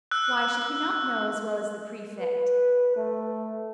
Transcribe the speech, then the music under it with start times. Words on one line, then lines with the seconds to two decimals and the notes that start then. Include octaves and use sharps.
'Why should he not know as well as the prefect?
0.11 E6 F#6
2.20 B4
2.96 A3